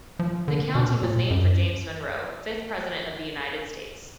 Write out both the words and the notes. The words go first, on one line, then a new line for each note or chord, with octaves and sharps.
The county was named for James Monroe, fifth President of the United States.
F3
D3
B2
A#2
F#2